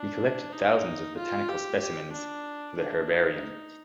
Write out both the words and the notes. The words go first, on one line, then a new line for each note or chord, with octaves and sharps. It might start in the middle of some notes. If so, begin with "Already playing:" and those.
He collected thousands of botanical specimens for the Herbarium.
Already playing: D4
D#4
F4
G4
G4
D4
D4
D#4